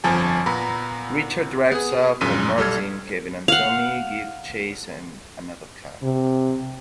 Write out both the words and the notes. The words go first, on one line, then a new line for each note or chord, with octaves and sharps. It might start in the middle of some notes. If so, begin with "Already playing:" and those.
Richard drives off and Martin, Kevin and Tommy give chase in another car.
G1 F2 F3 G#5 A5
A#2 B3 A#5 B5
B3 G#4
A#1 F#2 A#2 C#3 B6 D#7
B1 G3 A4 F6 G#6
F5 F#5
C3